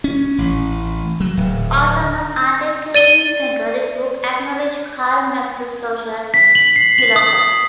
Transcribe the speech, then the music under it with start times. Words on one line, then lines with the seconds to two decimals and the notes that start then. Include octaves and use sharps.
Although not under Communist control, the group acknowledged Karl Marx's social philosophy.
0.04 C#4
0.38 A1
1.20 F#3
1.37 D1
2.94 D5 D#7 G7
6.34 B6
6.55 F#7
6.76 C7
6.98 F#7
7.16 D#6